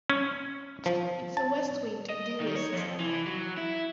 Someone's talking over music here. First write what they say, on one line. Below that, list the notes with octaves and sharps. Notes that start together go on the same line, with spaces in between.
It's a west wind, due west!
C#4
F3
A5
D#5
D#3
C#5
F2
E3
F#3
E4